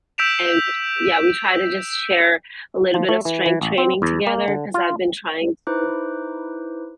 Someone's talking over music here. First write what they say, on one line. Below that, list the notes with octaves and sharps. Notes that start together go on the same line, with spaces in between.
and, w yeah, we try to just share a little bit of strength training together 'cause I've been trying to
E6 G6 B6 D7 E7 F7
F3
A3
E3
E3
A1
C4
E2
A#3
D3
F4
D#4 E4 B4 C5 D6 F#6